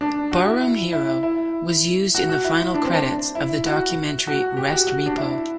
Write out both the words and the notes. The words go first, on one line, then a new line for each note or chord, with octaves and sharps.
"Barroom Hero" was used in the final credits of the documentary "Restrepo".
D4
F#4
E4
E4
E4
F#4
F#4
E4
D4
C4
D4
E4
F#4
F#4
G4
F#4
F#4
D4
E4